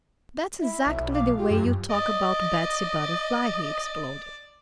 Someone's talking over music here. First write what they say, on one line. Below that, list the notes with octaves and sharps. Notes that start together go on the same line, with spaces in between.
"That's exactly the way you talk about Betsy Butterfly!" he exploded.
E4 E5
B1
F5 D6
F4 G4
F#2
D5 D#5